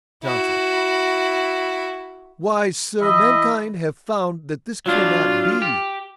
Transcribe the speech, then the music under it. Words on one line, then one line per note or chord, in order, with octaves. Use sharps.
JOHNSON. 'Why, Sir, mankind have found that this cannot be.
E4 F#4
E3 E4 D#5
F#3 D4 F4
G4